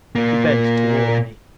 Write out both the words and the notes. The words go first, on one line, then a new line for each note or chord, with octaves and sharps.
She bent toward me.
A#2 A#3